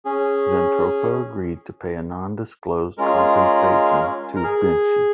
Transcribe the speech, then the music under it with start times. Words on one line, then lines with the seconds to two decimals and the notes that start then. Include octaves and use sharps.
Zentropa agreed to pay a non-disclosed compensation to Binchy.
0.05 C#4 G#4
2.98 G#3 C#4 F4 G#4 A#4
4.36 A#4
4.44 G#4